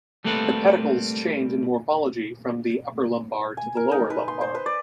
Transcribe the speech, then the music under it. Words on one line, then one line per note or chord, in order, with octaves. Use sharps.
The pedicles change in morphology from the upper lumbar to the lower lumbar.
G3 A3 A#3 C4 A4 B4
G#5
A#4
D#4
B4
C6
C5
B4
D5